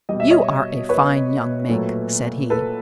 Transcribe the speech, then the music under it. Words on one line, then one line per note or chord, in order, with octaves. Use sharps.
"You are a fine young Mink," said he.
B2 G3 D#5
E5
C#5 D#5
B4 C#5
A#2 F#3 A3
A4 B4